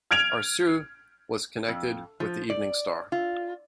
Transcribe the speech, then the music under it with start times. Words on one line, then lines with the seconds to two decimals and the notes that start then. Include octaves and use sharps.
Arsu was connected with the evening star.
0.11 F6 G#6 D7 F7
1.68 F2
2.20 F3
2.50 D5
3.12 F4